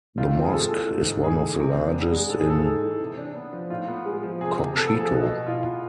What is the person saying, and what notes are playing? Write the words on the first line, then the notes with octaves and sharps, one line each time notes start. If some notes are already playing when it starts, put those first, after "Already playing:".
The mosque is one of the largest in Kokshetau.
A2 F4
C4
G#4
G#3 A4
E3
G#2
G#2
A3 G#4
E3
C3
D4
B3
G#3
G#2 A4
G#4
G#2 A4
G#3
E3
C3
D4
B3
F3
A2 F4
B3
G#3
F3
C3 G#4
C3
B3 A4
A4
F3
G#4
B2
B2
E4 F4
B3